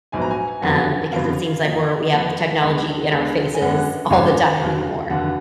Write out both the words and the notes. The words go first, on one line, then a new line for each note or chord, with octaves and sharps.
um, because it seems like we're we have technology in our faces all the time anymore.
A#1 G#2 F#3 B3 G#5
A#5
G#5
F#1 F2 D3 F#3 B3 F#5
F#1 F2 D3 F#3 B3 F5
F2 F3 A#3 D#5
F2 F3 A#3 B4
D2 D3 G#3 B3 B4
D2 D3 G#3 B3 A#4
G#5
G#1 F#2 D3 G#3 B3 F#5
G#1 F#2 D3 G#3 B3 F5
F1 D#2 D3 F#3
F1 D#2 D3 F#3 F#5